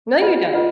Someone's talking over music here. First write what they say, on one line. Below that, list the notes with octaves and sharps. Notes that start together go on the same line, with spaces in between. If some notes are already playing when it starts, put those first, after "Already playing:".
No, you don't.
F4 B4 D#5 F#5
F4 B4 D#5 F#5